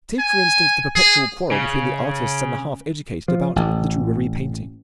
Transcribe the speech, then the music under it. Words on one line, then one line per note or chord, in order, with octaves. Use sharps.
Take, for instance, the perpetual quarrel between the artists and the half-educated about literary painting.
G#5
G#4
C#3
F3
A1